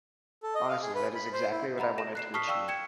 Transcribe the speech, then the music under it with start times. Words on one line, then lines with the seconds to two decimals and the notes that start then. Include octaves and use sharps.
Honestly, that is exactly what I wanted to achieve.
0.43 A4
0.55 D#5
0.69 F5
0.82 G#4
0.95 B4
1.15 B5
1.33 C5
1.51 E4
1.78 D#5 F#5 A#5 B5
1.98 A4 A#6 E7
2.15 F#6 C7 E7
2.34 A5 C#6 D#6 F6 B6 C7
2.47 D5 F5 G5 C#6 E6
2.68 G5 G#6 C#7 E7